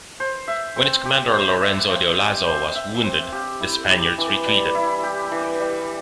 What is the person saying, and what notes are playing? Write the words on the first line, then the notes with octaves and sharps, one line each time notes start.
When its commander Lorenzo de Olazo was wounded, the Spaniards retreated.
C5
E5
C4
G4
C5
E5
C4
G4
C5
E5
C4
G4
E4
G4
E3
G3
E4
G4
E3
G3